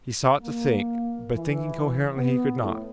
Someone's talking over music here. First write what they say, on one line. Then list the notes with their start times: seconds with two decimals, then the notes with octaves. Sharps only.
He sought to think, but thinking coherently he could not.
0.42 A#3
1.35 E3
2.16 B3
2.58 A2